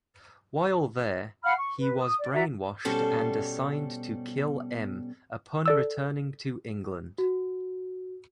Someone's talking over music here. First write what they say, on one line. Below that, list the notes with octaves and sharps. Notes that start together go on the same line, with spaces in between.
While there, he was brainwashed and assigned to kill M upon returning to England.
F5 F#5 B5 F6
C#6
B4
D#6
D5
F#4 D5 E5 A#5
B2 G3 C#4 A4 C5 A5
A4 D5 E6
F#4